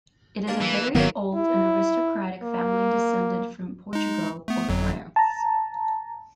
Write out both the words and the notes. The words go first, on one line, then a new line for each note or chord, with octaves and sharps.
It is a very old and aristocratic family descended from Portugal or France.
G2 A#3 D4
E3
G#1 F#2 D#3 F#3 A#3 B3
E4
A#3
G#3 D#4
A3 B3
G1 F2 F#3
A5 A#5